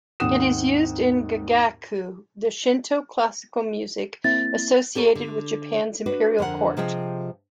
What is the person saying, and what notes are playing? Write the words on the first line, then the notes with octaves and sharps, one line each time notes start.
It is used in gagaku, the Shinto classical music associated with Japan's imperial court.
D#2 G#2 C4 F#5 D#6 E7
A#3 C4 E4 A6
G4 A4 A#4 C#5
D3
D4 F#4 B4
F2 D3 A#4 F#5
C3 F3 F4 G#4 D#5 G5